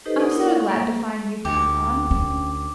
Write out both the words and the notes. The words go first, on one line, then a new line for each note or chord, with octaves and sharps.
"I'm so glad to find you've not gone."
D#4 G4 A4 B4 C5 D#5
B3 D5 F#5 D#6
D4 E4 A#4 C#5
F#5 C#6
A#3
D2 G4 D6
C#4